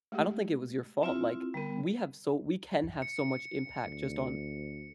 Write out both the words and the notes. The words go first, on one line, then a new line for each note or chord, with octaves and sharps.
I don't think it was your fault, like, we have so we can have so much impact just on
G#3 A3 G4
C4 E4 F4 E5
D3 G3 B3 A#4
C#7
D2